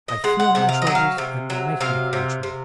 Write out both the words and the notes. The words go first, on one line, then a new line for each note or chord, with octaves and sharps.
I feel my troubles, and they make me contrary.
D#5
G#3 F#5
F#5
C3 F#5
F5
F#3 D#5
F5
C3
F#3
C3 F5
C3
C3